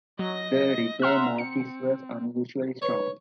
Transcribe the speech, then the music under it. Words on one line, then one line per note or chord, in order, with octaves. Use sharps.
The "rigor mortis" was unusually strong.
F#3 D#5 A#6
E5 F#5 A#5 C6 F6
C4 C#7
B4 C#5